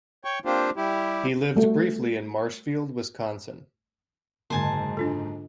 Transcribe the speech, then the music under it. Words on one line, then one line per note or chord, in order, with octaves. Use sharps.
He lived briefly in Marshfield, Wisconsin.
C#5 G5 C#6
A#3 C4 D4 F4 G4 C5
G3 E4 G4
G3 A3 F#4
F#1 G#2 D3 C5 G#5 A5
D4 F4 A4